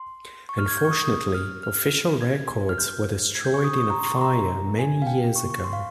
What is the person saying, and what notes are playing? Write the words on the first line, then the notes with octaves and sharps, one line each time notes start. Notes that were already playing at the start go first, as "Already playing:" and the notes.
Unfortunately, official records were destroyed in a fire many years ago.
Already playing: C6
C#6
F6
G#6
G6
C#6
D#6
D#6
F6
F6
G#6
F6
G6
G#6
G6
C#6
D#6
C#6
D#6
A#5
C6
C#6
C6
A#5
G#5
F5
G5
C#6
C#6
C6
F5